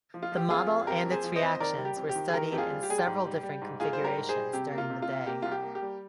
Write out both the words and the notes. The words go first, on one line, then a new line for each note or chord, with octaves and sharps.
The model and its reactions were studied in several different configurations during the day.
F3
F4
F3 G4
F2 F4 G#4
F2
F2 G4 A#4
F2
G#4 C5
F3
C5 D#5
F2
D#3 A#4 D5
G3
G4
F2
G4
D#3
G#4
D#3 G4 A#4
F2 G4
F4 G#4
G3
G4
G3 G#4
G4
G#2
G3
G3
G#2
G#2 F4 G#4
C5
G3
G4 A#4
G#2
G#4 C5
G3
C3 G4
A#3
F4
C3
F4
C3
A#3 G4
C2 F4
G4
A#3
G4
G3